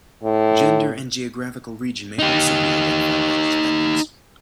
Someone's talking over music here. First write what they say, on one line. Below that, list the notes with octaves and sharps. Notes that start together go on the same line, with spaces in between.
Gender and geographical region may also be identified by these methods.
A2
D#4 G4